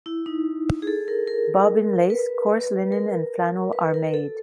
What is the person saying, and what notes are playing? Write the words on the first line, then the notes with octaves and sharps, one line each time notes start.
Bobbin lace, coarse linen, and flannel are made.
E4
D#4
G#4
A4
A#4
A#4
B4
A#4
B4
A#4
A4